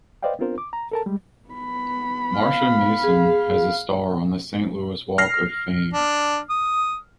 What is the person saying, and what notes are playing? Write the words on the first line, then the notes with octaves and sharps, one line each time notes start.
Marsha Mason has a star on the Saint Louis Walk of Fame.
B4 C5 D5 D#5 F5 G5
B3 C4 D4 F4 A#4 C5
D6
A#5
A4 A#4 A5
G3 G#3
B3 B5
F5
G#4
F6 A#6 C7
D4
D#6